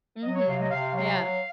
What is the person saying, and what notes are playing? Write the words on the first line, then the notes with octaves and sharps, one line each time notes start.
Mhm, yeah.
F#3 D#5
C#5
C3 F5
D#5
C3 F5
F#3 F5
F#3